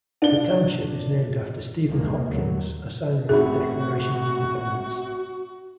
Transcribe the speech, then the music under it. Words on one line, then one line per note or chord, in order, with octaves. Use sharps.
The township is named after Stephen Hopkins, a signer of the Declaration of Independence.
D4 G7
C2 G#2 D#3 F3 G#3 A#3
D#2 D3 F#3
A1 C3 D#4 F#4 G#4 E5 B5